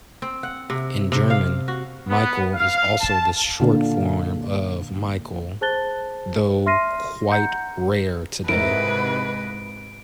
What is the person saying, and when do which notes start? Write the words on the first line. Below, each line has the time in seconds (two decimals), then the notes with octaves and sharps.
In German, "Michel" is also the short form of Michael, though quite rare today.
0.22 C4
0.43 F#5
0.70 C3
1.12 C3
1.30 F5
1.68 F#4
2.10 B3
2.54 F5
3.00 A5
3.60 A#2 D3 A#3
5.61 G#4 C5 A5 F#6 A6 G7
6.66 E5 C6 F6 A#6 C7 D#7
7.31 F#5 A#5 G6 C#7
8.49 G#2 C3 E4 A#4 B4 D#5 D7